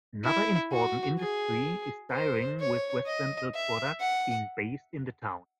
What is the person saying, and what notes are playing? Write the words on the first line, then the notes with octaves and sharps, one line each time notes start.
Another important industry is dairying, with Westland Milk Products being based in the town.
E4
F#4
G#4
C5
C#5
D#5
E5
F#5